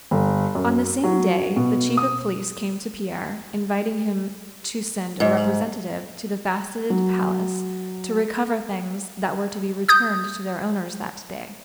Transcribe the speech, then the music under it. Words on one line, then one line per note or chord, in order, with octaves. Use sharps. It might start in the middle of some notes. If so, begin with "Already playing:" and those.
On the same day the Chief of Police came to Pierre, inviting him to send a representative to the Faceted Palace to recover things that were to be returned to their owners that day.
G1
F#2
F#3
B2
D#6
G#2
F#3
D#6 G6